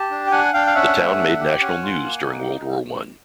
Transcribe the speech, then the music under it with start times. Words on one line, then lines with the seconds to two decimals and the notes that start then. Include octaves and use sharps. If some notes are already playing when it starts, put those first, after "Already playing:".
The town made national news during World War One.
Already playing: G4 A5
0.11 D4
0.27 G5
0.31 D4 F#5 G#5
0.53 D4 F5 G5
0.67 F5
0.75 C#4 E5 F#5
0.97 A3
1.18 D4
1.39 G4
1.61 C#4 F#5 G#5
1.83 F4
2.05 A#3
2.26 D#4